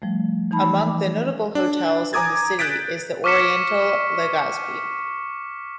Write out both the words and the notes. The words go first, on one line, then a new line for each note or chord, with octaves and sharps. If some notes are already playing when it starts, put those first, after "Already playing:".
Among the notable hotels in the city is The Oriental Legazpi.
F3 G3 A3
E3 D#4 A5 B5
D6
D4
G#5 A#5 D6 D#6 G#6 A6
F#6 G6 A6 B6 D7
C#6 D6 F6 B6 C#7 E7